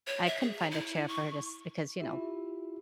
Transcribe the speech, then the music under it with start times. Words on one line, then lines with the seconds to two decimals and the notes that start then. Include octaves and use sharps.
I couldn't find a chair for her to si because, you know,
0.07 C#5
0.26 E5
0.42 G#4
0.58 A#5
0.71 E4
1.08 C#6
2.00 E4 F4 G4 E5